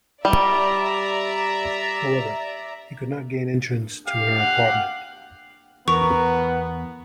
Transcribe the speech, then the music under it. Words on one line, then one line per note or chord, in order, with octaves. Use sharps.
However, he could not gain entrance to her apartment.
G3 D5 E5 A#5
G4 F5
F#5
E2 B3 A#4 C#6